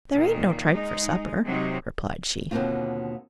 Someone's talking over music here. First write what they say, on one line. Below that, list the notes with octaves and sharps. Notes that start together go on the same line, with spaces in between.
"There ain't no tripe for supper," replied she.
A#2 D#3
G#3 D#4
C3 F#3 D#4
D#2 B2 D3 A#3 C4 F4